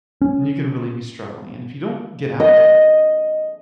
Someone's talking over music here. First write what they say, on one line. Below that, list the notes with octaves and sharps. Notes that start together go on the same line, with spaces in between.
and you can really be struggling and if you don't get out of that,
C#4
D#5